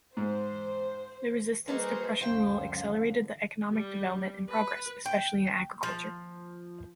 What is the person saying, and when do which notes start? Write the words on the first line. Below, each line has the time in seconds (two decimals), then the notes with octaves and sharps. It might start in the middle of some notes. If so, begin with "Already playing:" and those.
The resistance to Prussian rule accelerated the economic development and progress, especially in agriculture.
0.17 G#2 C5
1.68 G3 A#3 D#4 F#4 G#4 B4 C5
2.21 C#2 F#2 D3 C5 F5 G5
3.72 G3
4.49 B4
5.06 G5
5.83 F3